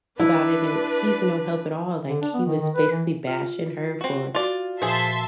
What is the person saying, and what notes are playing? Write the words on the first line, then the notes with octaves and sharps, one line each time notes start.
about it, and he's no help at all, like, he was basically bashing her for
D4 E4 B4
D3
D4
B3
D#3
D#3
B4
E3
F4
C4 F#4
F4 F#4 D5
A#2 F3 G#4 C5 E5 A5 C6